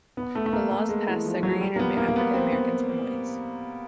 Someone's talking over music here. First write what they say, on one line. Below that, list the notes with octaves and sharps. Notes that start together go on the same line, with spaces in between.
The laws passed segregated African Americans from Whites.
B3
A3
A3
A#3
A3
G#3
E3
F3
F#3
G3
A#3
B3
A#3
A#3
B3
C4
B3